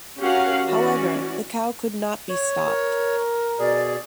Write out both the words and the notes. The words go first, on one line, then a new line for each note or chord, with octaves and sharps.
However, the cow could not be stopped.
C#4 F#4 G4 A#4 F5 F#5
E3 C#4 F#4 D5
C#5
A#4
B2 G#4 D5